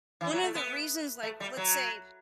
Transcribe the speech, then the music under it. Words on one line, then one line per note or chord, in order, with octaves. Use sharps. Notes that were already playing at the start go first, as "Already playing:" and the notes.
one of the reasons, like, let's say
E3
F#3
A3
B3
A3
G3
F#3